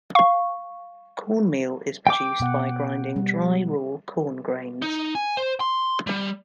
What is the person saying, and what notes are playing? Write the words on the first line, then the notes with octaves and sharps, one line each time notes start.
Cornmeal is produced by grinding dry raw corn grains.
F5 C#6
G5 D6
B2 B3 F#5
G3
D#4
G#5
C5
C6
G3